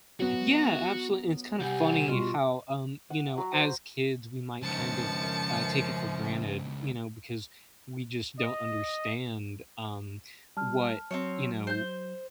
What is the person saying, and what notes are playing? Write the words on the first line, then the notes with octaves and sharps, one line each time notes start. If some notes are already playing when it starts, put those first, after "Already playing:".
Yeah, absolute and it's kinda funny how, um, you know, as kids, we might kind of, uh, take it for granted, you know, because we just don't understand, um, what, you know,
F#3 B3 F#4
C2 G4 F#5 G#5
B2 G3 F4 C6 C#6
F#5
F#3
C5
C#2 F#2 D#3 F3 A5 C#7
D#5
G3 A5 F6
F#3 C4 C#4 C#5
C5 G6